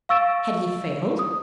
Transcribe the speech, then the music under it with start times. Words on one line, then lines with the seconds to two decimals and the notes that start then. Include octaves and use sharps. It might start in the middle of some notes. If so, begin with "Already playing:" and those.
Had he failed?
0.09 F5 C#6 E6 A6 D7 E7
1.19 D#6